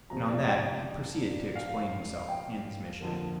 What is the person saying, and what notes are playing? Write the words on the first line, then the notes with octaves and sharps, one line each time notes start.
And on that he proceeded to explain himself and his mission.
F2 C3 F3 A#5
D5
G5
F5
G5
F2 D3 F3 A#3